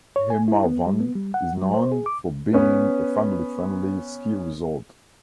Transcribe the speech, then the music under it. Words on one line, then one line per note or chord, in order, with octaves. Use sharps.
Hemavan is known for being a family-friendly ski resort.
C#5
G#5
E4
B3
G3
B3
G3
F#5
F#3
C5
G#4
D6
B3 C#4 B4